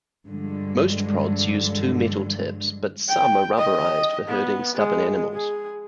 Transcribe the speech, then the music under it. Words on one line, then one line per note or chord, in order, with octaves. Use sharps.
Most prods use two metal tips, but some are rubberized for herding stubborn animals.
G2 D3 F3 G#3
G5
D#5
B3
G#3
G#4